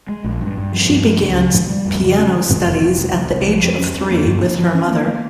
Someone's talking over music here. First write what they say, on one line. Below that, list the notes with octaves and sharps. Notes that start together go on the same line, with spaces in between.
She began piano studies at the age of three with her mother.
G#3
A#1
G2
G2
F3
G2
F3
C#2
C#3
F3
G3
F2
C#3
C#4
D#3
F1
F1
D#3
C2
C2
C2
F3
F2
C#4
F2
A#3
G2
F3
F3
C#4
A#3
A#3